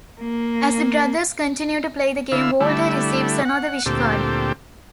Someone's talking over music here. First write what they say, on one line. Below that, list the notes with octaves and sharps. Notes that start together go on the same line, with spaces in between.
As the brothers continue to play the game, Walter receives another wish card.
A#3
D3 E4 F5 E6
D3 G3 A3 E4
F#5
D2 A#2 C4 G4 A4